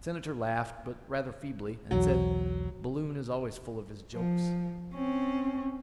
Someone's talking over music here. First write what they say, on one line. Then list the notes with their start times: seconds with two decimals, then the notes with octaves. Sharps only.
The Senator laughed, but rather feebly, and said, "Balloon is always full of his jokes."
1.91 B1 E2 F#3
4.15 F3
4.93 C4 C#4